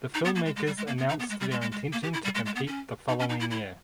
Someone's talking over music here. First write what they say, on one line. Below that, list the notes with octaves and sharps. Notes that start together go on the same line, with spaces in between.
The filmmakers announced their intention to compete the following year.
D#4
B3
A#3
G#3
G#3
G3
G#3
A#3
B3
D#4
B3
G#3
G3
G#3
G#3
G#3
A#3
G4
E4
G3
G#3
G#3
B3
C#4
D#4
C#4
D#4
E4
E4